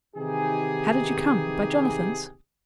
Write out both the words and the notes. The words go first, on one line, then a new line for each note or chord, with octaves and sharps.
'How did you come; by Jonathan's?'
C3 D#3 E3 D#4 G4 G#4